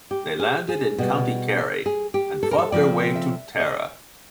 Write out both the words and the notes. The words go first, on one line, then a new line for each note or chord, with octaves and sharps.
They landed in County Kerry and fought their way to Tara.
G4
G#4
G#4
B2 G3 B3
G#4
G4
A4
A#4
A4
C#3 F3 A3 C4 D5
E5
D#5